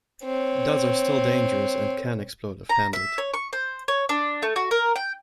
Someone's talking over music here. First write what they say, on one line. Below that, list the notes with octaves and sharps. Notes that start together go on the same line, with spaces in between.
Duds are still dangerous, and can explode if handled.
C4 C#5
A#5
E5
C#5
C#6
C5
C#5
D4
A3
F#4
A#4
G5